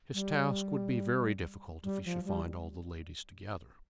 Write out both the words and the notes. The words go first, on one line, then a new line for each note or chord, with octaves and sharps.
His task would be very difficult if he should find all the ladies together.
G3
G3
F3
G3